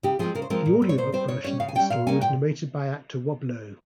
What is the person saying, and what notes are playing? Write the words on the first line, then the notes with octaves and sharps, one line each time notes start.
The audiobook version of this story was narrated by actor Rob Lowe.
C#3 G4
F3 G#3 C4 G#4
C#3 A#4
C5
F3 G#3 C4 A#4
A#2
G3 C4
C#5
A#2 C5
G3 C4 C5
C#3 C#5
G3 C#4 C#5
C#3 F5
G#5
G3 C#4 G5
A#2 F5
G3 A#3 C#4 G#5
A#2 G5